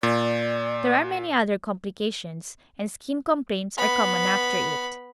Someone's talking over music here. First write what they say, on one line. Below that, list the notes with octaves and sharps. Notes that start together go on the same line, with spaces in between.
There are many other complications, and skin complaints are common after it.
A#2 D5
B3 B5